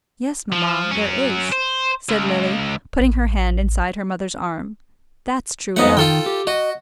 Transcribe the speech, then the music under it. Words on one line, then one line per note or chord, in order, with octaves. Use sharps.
"Yes, mamma, there is," said Lily, putting her hand inside her mother's arm, "that's true enough."
F3
F#3 C#4
C5
C#2
A1
F2 A3 B3 D#4 F#5
D#3 F4 A4 G5
G4
F#4 D#5